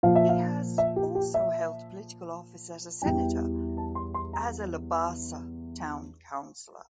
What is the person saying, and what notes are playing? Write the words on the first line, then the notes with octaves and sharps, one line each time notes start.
He has also held political office as a Senator, as a Labasa Town Councillor.
A#2 F3 F5
E5
F5
E5
G4
G4
E5
E2 E3 G3 G5
A5
C6
C6
A#5